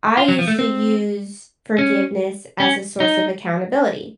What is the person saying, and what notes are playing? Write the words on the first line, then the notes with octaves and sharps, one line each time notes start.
I used to use forgiveness as a source of accountability.
F4
F#3
F3
A3
C4
C#4
C#4
D#4